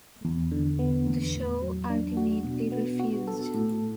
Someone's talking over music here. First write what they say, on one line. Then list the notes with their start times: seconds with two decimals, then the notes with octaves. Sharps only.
The show ultimately refused.
0.25 E2
0.51 D3
0.79 B3
1.07 E2
1.34 A2
1.62 F#3
1.90 D4
2.17 F#4
2.44 B2
2.72 B3
3.00 F#4
3.28 A4
3.54 A2